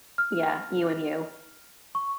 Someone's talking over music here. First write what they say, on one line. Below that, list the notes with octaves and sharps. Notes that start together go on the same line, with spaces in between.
Yeah, you and you.
F6
C#6